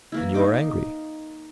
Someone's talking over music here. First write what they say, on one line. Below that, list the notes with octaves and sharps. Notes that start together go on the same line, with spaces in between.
And you are angry!
E3 A#3 E4
D#4 D6